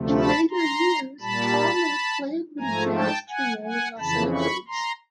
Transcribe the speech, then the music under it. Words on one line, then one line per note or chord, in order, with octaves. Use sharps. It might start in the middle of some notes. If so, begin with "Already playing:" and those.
In later years, Palmer played with a jazz trio in Los Angeles.
Already playing: D2 C3 F3 A3
A5 B5
A#5 C6
A#2 G3 A5 B5
G#2 F3 A3 G#5 A#5
G5 A5
F#5 G#5
F#5 G#5
F2 C#3 E3 A5 B5
B5 C#6
A#5 C6